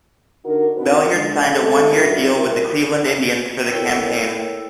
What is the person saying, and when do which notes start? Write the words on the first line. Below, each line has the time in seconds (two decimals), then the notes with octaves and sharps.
Belliard signed a one-year deal with the Cleveland Indians for the campaign.
0.45 D3 D4 D#4 F#4 A#4
0.77 C4 D4 D#4 F#4 B4
1.11 D3 G#3
1.55 C3 G#3 A3 A4
1.95 G#2 F#3 D4 E4 F4 B4
2.36 B2 G3 E4 A#4
3.71 E4 A4 A#4 C#5 G5 E6